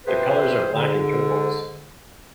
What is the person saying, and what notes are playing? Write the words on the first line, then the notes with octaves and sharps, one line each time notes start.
Their colors are Black and Turquoise.
C3 F3 G4 G#4 B4 C5
G#2 D3